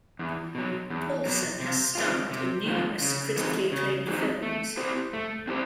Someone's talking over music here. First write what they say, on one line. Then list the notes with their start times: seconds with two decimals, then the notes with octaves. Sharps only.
Paulson has starred in numerous critically acclaimed films.
0.19 E2
0.55 B2 F#3
0.90 E2
1.26 B2 F#3
1.60 C3
1.95 D#3 G#3 C4 F4
2.31 C3
2.66 D#3 G#3 C4 F4
3.01 C#3
3.37 E3 G#3 C4 D#4
3.72 C#3
4.07 E3 G#3 C4 D#4
4.42 A3
4.77 C4 E4 G4 C5
5.13 A3
5.48 C4 E4 G4 C5